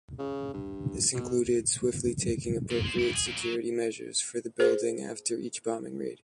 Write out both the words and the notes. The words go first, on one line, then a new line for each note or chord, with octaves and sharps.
This included swiftly taking appropriate security measures for the building after each bombing raid.
C#3
G2
B2
A#2
G#3 C5
G2 E4
G#4
F2 A#2
F#3
G#4 C5